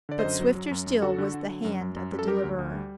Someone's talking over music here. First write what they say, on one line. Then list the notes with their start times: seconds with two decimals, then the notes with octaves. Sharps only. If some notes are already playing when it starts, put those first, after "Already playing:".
But swifter still was the hand of the deliverer.
0.09 D3 D5
0.19 C5 D#5
0.25 F#2
0.40 F#3
0.55 F#3
0.71 F#2
0.87 F#2
1.02 D3 F#4 A4
1.18 D3
1.34 D3
1.49 F#3
1.65 F#2
1.81 F#2
1.96 F#2
2.12 F#2
2.19 A4
2.27 G3 G4 A#4
2.44 D2
2.59 D2
2.74 G3